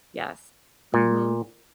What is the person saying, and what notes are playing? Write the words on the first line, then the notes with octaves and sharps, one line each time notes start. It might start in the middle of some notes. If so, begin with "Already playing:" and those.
Yes. Mhm.
A#2